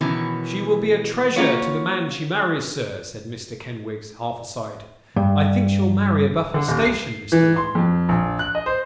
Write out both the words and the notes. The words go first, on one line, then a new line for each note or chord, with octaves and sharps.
'She will be a treasure to the man she marries, sir,' said Mr Kenwigs, half aside; 'I think she'll marry above her station, Mr Lumbey.'
B2 D#3 E3 C#4
A#3 C#4 F4 F#4 B4 C#5
G2
D3
D#1
C7
E3
C6
F2
A#1
F#6
D#5
C5